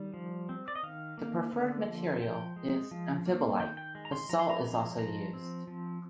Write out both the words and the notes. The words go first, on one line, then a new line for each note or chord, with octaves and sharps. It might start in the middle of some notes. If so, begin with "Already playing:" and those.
The preferred material is amphibolite; basalt is also used.
Already playing: D#3 G3
F3
C4
D5
D#5
D#3 F5
A#3
D3
F3
F3 G5
G#3
F3
A#3
D#3 G5
G5
G#3
A#5
C6
F3 A#5
C6
A#5
G#3 A#5
F3 A#5
C4
F3